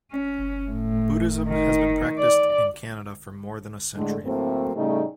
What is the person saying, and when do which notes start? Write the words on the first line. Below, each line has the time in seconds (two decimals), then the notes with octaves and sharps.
Buddhism has been practised in Canada for more than a century.
0.12 C#4
0.70 A2
1.48 D#3
2.18 D5
3.96 A2 D3 G#3
4.25 A2 F#3 A3 A#3 C4
4.76 A2 C#3 G3 A3 D#4 G4